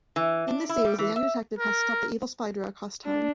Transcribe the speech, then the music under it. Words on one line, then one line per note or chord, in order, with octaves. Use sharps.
In this series, the young detective has to stop the evil Spydra across time.
E3
D4
E4
G3
E3
E5
A#4
D4